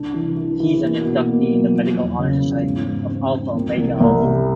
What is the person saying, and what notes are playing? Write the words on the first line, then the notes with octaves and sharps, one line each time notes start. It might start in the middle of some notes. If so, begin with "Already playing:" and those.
He is an inductee in the medical honor society of Alpha Omega Alpha.
Already playing: C2 D4
E3
E3
E3
A#3
B2
A#3
F#3
F3
E2
C#3
E2
G#2
G#2
C4
C4
C2
C2
C2
G3